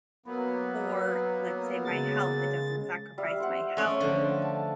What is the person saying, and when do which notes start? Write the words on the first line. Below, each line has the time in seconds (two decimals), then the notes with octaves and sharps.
or let's say my health, it doesn't sacrifice my health,
0.26 F#3 A#3 B3 B4
1.85 C#3 G#3 A6
3.18 G3 E5 F5
3.40 C5 F#5
3.77 A3 C#4 D5
4.00 D3 F3
4.42 A5